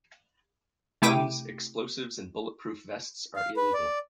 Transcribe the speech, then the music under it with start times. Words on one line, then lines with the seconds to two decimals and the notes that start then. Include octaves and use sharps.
Guns, explosives and bulletproof vests are illegal.
1.02 C3 A3 E4 G5 D6 D#7
3.36 F5
3.57 B4
3.74 D5